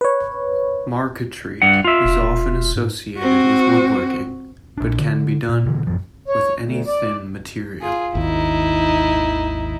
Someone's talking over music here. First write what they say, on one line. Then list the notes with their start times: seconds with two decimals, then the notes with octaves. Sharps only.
Marquetry is often associated with woodworking, but can be done with any thin material.
0.01 B4 C#5
1.62 G2 F#5
1.84 F4 E5
2.05 E1
2.76 G#2
3.18 C4 F#4
4.78 A#1 D4
4.99 D3
5.49 A#2
5.66 B2 D3 E3
5.87 A1 F#2 D#3 F3
6.28 C#5
6.60 D2
6.87 D5
7.81 F4 G#4
8.15 G#1 D#2 D#4 E4